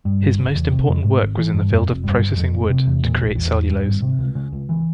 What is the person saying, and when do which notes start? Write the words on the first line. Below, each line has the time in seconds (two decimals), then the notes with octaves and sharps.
His most important work was in the field of processing wood to create cellulose.
0.05 G2
0.21 G1
0.39 C#3
0.55 E2
0.71 C3
0.88 F2
1.04 G#2
1.21 G#1
1.37 E3
1.54 G2
1.71 F2
1.87 F1
2.04 G2
2.20 G1
2.36 F2
2.53 F1
2.70 C3
2.87 E2
3.03 A#2
3.19 A#1
3.36 E2
3.53 E1
3.70 G2
3.86 G#1
4.02 C3
4.19 C#2
4.35 C#3
4.52 C#2
4.69 E3